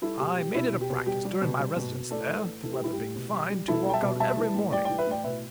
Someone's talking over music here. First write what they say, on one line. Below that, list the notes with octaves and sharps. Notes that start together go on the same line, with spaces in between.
I made it a practice during my residence there, the weather being fine, to walk out every morning.
G3 E4 A4
B2 G4
G3 G4
B2 E4
B2
G4
B2
G3 G4
G3
B2
G3
B2
B2
A2 A4 D5
E3
A2
E3 A4
G4
G3 E4
G4
A2
B2
G3
G3
B2 E4 A4
G3 G5
E5 A5
B2
G3 E5 A5
E3
A2
G3 D5 G5
E3 D5 G5
B4 E5
A2 D5 G5
B2 B4 E5